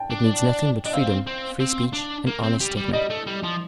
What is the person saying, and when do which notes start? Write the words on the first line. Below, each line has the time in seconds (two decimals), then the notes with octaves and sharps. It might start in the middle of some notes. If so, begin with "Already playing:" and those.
It needs nothing but freedom, free speech, and honest statement.
Already playing: G5 A5
0.10 D4
0.85 D4 D#5
0.93 C4 F5
1.27 C4
1.60 C4
1.93 D4
2.27 A#3
2.43 C4
2.60 G3
2.77 G3
2.93 G3 D#5
3.10 A3
3.26 G3
3.43 F3